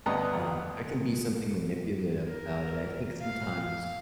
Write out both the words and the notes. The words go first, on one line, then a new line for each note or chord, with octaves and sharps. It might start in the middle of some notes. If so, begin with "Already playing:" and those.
um, there can be something manipulative about it, I think sometimes
D2 G2 B3 D#5 A#5
A#4
F5